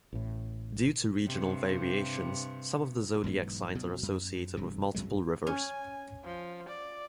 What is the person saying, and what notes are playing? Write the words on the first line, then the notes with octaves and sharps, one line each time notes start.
Due to regional variations, some of the zodiac signs are associated with multiple rivers.
A1 A2
G2 C3
E1 G#2 F#3 B3
D2 B2 F#3
F#2
E1 G2 C3
C2 F#2 F#3 G#3
C#4 G#5
F3
D5